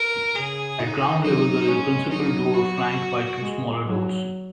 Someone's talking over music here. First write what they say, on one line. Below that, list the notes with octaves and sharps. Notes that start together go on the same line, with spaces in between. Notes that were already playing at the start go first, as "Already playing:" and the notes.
At ground level there is a principal door flanked by two smaller doors.
Already playing: A#4
C#3 G#4
D#4
F#3 D#4
G#3 C#4
F#3 D#4
F#4
G#3
F#3